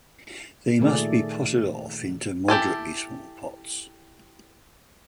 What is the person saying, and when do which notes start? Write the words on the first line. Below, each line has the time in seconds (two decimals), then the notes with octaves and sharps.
They must be potted off into moderately small pots.
0.80 A#2 D#3 A3 G#4 D5
2.48 E4 G4 A4 G#5